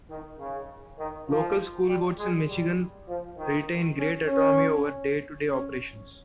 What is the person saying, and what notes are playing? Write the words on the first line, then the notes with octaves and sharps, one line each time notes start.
Local school boards in Michigan retain great autonomy over day-to-day operations.
D#3
C#3
D#3
F3
G3
G#3
G3
F3
D#3
C#4
C#4
C#4